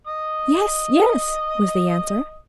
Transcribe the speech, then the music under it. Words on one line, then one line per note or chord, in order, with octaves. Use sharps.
"Yes, yes," was the answer.
D#5 D#6